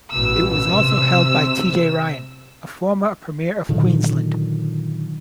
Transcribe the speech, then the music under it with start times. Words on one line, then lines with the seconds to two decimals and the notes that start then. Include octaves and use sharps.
It was also held by T. J. Ryan, a former Premier of Queensland.
0.11 A1 B2 E6
0.68 C3
3.69 A#2 D3 D#3 F#3